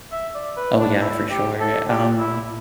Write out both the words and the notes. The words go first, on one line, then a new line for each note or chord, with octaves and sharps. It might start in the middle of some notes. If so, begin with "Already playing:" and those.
Oh, yeah, for sure. Um,
E5
D5
B4
D4
E4
G4
A4
G4
E4